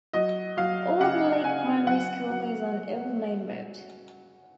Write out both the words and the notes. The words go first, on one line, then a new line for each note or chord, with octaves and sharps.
Old Leake Primary School is on Old Main Road.
F#3 D#5
F#3 F5
C#3 F#5
C#3 G#5
F#3 F#5
F#3